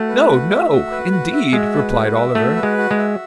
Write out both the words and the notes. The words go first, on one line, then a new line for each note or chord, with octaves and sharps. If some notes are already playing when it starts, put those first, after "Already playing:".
'No! No, indeed!' replied Oliver.
Already playing: A3 F#4
B4
F#4
E5
F#4
B4
F#4
E5
G#3 F#4
B4
F#4
E5
A3 F#4
B4
G#3
F#4
G#3
E5